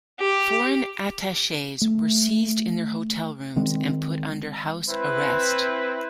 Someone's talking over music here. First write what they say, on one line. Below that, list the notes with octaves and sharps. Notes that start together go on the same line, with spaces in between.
Foreign attachés were seized in their hotel rooms and put under house arrest.
G4
A3
D#3 G#3 C4
C4 E4 B4